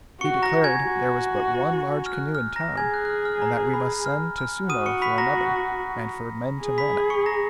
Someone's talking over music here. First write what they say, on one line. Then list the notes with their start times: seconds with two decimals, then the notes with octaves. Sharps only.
He declared there was but one large canoe in town, and that we must send to Suno for another, and for men to man it.
0.21 F#4 C#6 C#7
0.42 A#5 A#6
0.64 G#5 G#6
0.85 F#4
2.06 F6
2.13 F#6
2.35 F6
2.56 A#5 A#6
2.77 G#4 G#5 G#6
2.94 F#6
3.05 F#6
3.10 F6
3.25 F6
3.42 A#5
3.74 B5
4.06 F6
4.38 F6
4.69 F#4 D#6 D#7
4.86 C#6 C#7
5.02 B5 B6
5.18 A#5 A#6
6.62 G#4
6.78 B5 B6
7.10 C#6 C#7
7.26 A#5 A#6